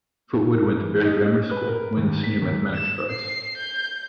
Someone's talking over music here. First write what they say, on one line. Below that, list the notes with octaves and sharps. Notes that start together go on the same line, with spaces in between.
Foote Wood went to Bury Grammar School, winning the Senior Mathematics prize.
A#4
E3
D#5
C#4
B4
A#4
D#2
B6
D#2
E7
C7
G6